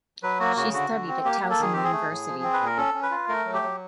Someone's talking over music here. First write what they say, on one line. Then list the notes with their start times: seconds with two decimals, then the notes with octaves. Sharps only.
She studied at Towson University.
0.23 F#3 B4
0.40 A#3 F#4
0.57 C#3 F#4
0.73 D3 F#4
0.90 D3
1.08 C4
1.24 A#3 G4
1.41 A#3
1.50 A4
1.59 D#3 G#4
1.73 C4 G4
1.84 G#4
1.92 A3
2.10 A2
2.27 F3
2.43 C4
2.53 B4
2.60 A#2
2.66 A#4
2.77 C#4 A4
2.94 C#4
3.03 B4
3.11 F4
3.28 A3 A#4
3.45 F#3
3.54 G4
3.62 F#3